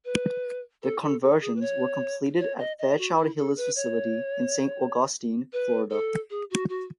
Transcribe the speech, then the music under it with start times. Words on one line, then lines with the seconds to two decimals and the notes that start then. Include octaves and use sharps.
The conversions were completed at Fairchild-Hiller's facility in Saint Augustine, Florida.
0.05 B4
0.82 A4
1.03 A4
1.22 A4
1.41 G#4
1.56 B4
1.61 C#5
2.39 C#5
2.59 D#5
2.79 D#5
2.98 F#4
3.17 E4
3.37 A4
3.57 B4
3.76 C#5
5.53 B4
5.91 A4
6.30 G#4
6.51 F#4
6.69 F#4